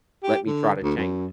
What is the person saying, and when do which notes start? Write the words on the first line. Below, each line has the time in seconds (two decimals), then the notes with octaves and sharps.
let me try to change it."
0.23 G4
0.47 D3
0.83 D2
0.97 F#2